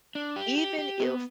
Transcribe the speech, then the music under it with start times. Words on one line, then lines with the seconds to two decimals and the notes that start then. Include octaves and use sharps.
even if
0.15 D4
0.36 G4
0.58 G4
0.79 G4
1.00 B3